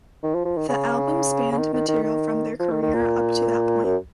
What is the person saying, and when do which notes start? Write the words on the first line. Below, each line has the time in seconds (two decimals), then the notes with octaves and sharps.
The album spanned material from their career up to that point.
0.23 D#3
0.35 F3
0.45 F3
0.57 D#3
0.68 C#3
1.52 C#3
1.58 D#3
1.73 D#3
1.88 D#3
2.03 D#3
2.60 F3
2.72 D#3
2.82 D#3
2.94 A#2
3.84 F#2